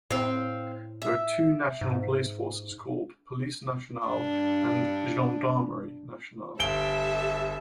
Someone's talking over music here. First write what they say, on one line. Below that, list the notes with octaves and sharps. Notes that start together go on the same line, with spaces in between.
There are two national police forces called "Police nationale" and "Gendarmerie nationale".
A2 C4 F5
E5
G#2
G2 D4
G1 G4 A4 E5 D7 G7